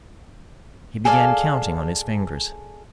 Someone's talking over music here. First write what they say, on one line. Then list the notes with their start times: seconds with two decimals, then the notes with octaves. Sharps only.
He began counting on his fingers.
1.05 G#4 A4 D5 F5